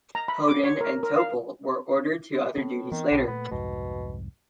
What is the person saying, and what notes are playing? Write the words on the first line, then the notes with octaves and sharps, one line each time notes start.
Hoden and Toeppel were ordered to other duties later.
A#5
B5
D6
C#5
A#4
A#4
F5
A2 C4
D#3 E3 B3 C4
B1 A2
A#2 A3 B3
C2 F2 G#2 B2